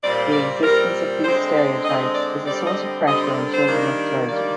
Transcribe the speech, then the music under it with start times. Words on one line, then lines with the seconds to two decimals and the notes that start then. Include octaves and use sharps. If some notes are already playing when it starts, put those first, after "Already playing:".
The existence of these stereotypes is a source of pressure on children of clergy.
0.02 A#2 G3 C4 D5
0.32 D5
0.63 A#2 G3 C4 A#4
1.24 D3 G#3 C4 C5
1.55 D5
1.84 D3 G#3 C4 D#5
2.15 D5
2.46 D3 G3 C4 D5
2.66 D#5
3.06 D3 G3 C4 D#5
3.22 C5
3.37 A#4
3.52 C5
3.67 D#3 G3 A#3 D4
4.28 D#3 G3 A#3 D4 D5